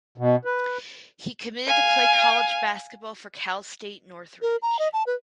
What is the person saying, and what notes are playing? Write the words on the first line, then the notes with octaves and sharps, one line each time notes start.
He committed to play college basketball for Cal State Northridge.
B2
B4
F5 G#5
A#4
A#5
D#5
A5
B4